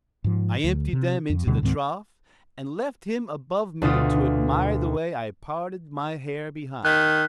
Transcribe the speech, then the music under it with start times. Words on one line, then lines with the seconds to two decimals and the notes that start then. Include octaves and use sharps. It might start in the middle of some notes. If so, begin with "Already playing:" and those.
I emptied them into the trough, and left him above me to admire the way I parted my hair behind.
0.24 G#2 F3
0.64 D2
0.93 C3
1.30 F2
1.47 D2 B2 D3 G3
1.62 C#2 G#2 D#3 C4
3.82 D2 B2 F4 D#6
6.85 D#3 F#6 B6